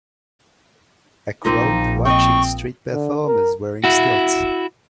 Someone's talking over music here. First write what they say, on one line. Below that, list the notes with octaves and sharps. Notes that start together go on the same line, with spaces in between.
A crowd watching street performers wearing stilts.
A#1 F3 A#3 C4 D#4
C4 D#5 G5 C#6
D3
A#4
E4 F#4